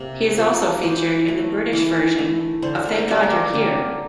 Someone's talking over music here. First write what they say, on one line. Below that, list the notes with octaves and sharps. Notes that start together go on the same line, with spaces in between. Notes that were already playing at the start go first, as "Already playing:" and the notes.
He has also featured in the British version of "Thank God You're Here".
Already playing: C3 A#3
F3 A#3
E3 C5
A3
E3
A3
D3 C5
C5
A#4
A4
G3 A#3 A#4
G4
A4
D3 A#4